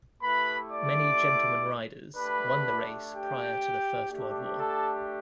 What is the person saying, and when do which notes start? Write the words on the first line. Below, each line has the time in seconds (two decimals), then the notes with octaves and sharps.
Many gentleman riders won the race prior to the First World War.
0.23 A3 E4 G4 B4 B5
0.71 D5 D6
2.16 A3 D4 G4 B4 B5
3.13 G4 G5
4.10 A3 D4 G4
4.58 A4 A5